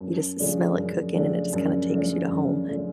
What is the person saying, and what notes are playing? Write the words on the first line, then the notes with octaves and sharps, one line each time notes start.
you just smell it cooking and it just kinda takes you to home.
F#2
C#3 F3 A3 D4
F#2
C#3 F3 A3 D4
F#2
C#3 F3 A3 D4
F#2
C#3 F3 A3 D4